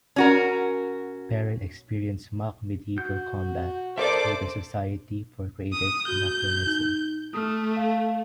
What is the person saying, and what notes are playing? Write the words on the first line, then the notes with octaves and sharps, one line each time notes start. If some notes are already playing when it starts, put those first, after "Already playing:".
Perrin experienced mock medieval combat through the Society for Creative Anachronism.
C#4 F#4 A#4
F#4 G6
D#4 A4 A#4 C5 D5 E5 D6
D#6
F#4 G6
D#4
A3 D#6 F6
F5